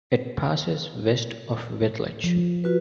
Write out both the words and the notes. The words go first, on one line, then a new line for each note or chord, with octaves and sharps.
It passes west of Wittlich.
F3
F4 F#4 B4